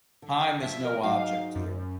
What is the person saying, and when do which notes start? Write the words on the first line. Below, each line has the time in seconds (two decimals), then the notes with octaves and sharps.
Time is no object here.
0.22 D3
0.63 F3 E5
0.85 A#4
1.03 G#2 F#3 D#4 F5
1.55 F#2